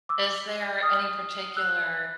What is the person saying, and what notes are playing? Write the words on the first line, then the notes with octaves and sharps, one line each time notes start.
Is there any particular
D6 E6
D#6 F6
E6 F#6